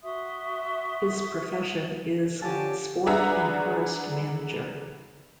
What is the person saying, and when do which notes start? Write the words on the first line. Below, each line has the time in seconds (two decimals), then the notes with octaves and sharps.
His profession is Sport- and Tourist manager.
0.02 F#4 E5 C6 D#6
2.42 D3 F3 G4 C#5 G#5 A5
3.06 D4 G#4 B4 E5 F#5 A#5